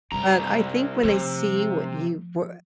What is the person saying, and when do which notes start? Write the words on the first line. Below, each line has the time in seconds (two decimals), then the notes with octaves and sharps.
But I think when they see what you we
0.12 C2 F#2 G3 A#5
1.03 C3 F3 A3